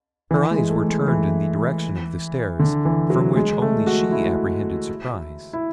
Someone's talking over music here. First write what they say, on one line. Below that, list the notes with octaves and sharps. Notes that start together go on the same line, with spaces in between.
Her eyes were turned in the direction of the stairs, from which only she apprehended surprise.
E3
G#3
A3
G#3
E3
D3
E3
F#3
G#3
A3
F#4
E4
E4